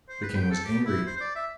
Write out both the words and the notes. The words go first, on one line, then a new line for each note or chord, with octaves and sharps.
The king was angry.
C5
B4
G5
A4
G4
E4
C5
C5
D5
E5